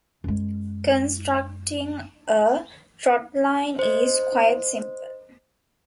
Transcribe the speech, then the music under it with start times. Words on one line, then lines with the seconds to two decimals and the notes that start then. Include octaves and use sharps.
Constructing a trotline is quite simple.
0.24 F#2 G#3
3.79 C5 D#5